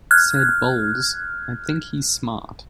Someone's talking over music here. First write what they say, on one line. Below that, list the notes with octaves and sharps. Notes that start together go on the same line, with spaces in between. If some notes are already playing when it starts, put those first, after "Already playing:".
Said Bowles: I think he's smart.
F6 F#6 G#6